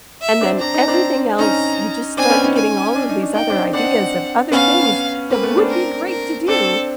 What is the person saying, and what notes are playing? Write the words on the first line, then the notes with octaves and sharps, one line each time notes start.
and then everything else, you just start getting all of these other ideas of other things that would be great to do,
E5
C4 D4
D4 A#5
D#4
C4 D4
C#4 D#4 A#5
C4 D4 G#5
B3 C#4
C#4 D#4
G#5
D4
D#4
D4
D#4 G5
C4 D4
C4 D4 F#5
B3 C#4 F5
A#3 C4 B4
A3 B3
C4 D4
A#4
A#4
C4 D4 A4